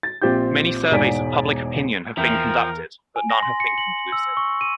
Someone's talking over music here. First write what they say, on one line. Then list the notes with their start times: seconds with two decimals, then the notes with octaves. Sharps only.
Many surveys of public opinion have been conducted, but none have been conclusive.
0.03 A6
0.22 A#1 C4 F4 G4 G6
0.91 E1 G#2 D5 G#5 B6 D7
2.17 E2 F3 A#4 E5 G5 B6
3.16 G#5
3.30 A#6
3.43 C6
3.60 C#7
3.78 F#7
4.12 E6
4.37 C#6
4.61 D#7